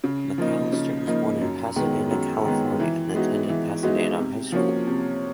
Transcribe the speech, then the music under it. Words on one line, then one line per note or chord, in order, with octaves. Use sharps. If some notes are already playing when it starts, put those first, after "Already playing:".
McAlister was born in Pasadena, California, and attended Pasadena High School.
C#3
F3 A#3 D#4
C#3
F3 A#3 D#4
F#2
D#3 G#3 B3
F#2
D#3 G#3 B3
E3
G#3 B3 D#4 F#4
E3
G#3 B3 D#4 F#4
C3
F3 A#3 C#4 F#4
C3